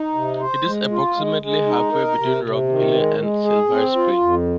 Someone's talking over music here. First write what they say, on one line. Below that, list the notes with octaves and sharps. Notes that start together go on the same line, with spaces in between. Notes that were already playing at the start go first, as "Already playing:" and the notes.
It is approximately halfway between Rockville and Silver Spring.
Already playing: D#4
C3
C5
G#3
F4
G#3
G#3
D#4
A#4
C3
C3
D#3
G#3
G#3
G#4
C4
F4
F2